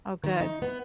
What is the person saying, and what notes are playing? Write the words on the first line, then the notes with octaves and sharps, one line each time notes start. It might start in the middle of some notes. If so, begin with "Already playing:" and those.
Oh, good.
D#3
D#4
B3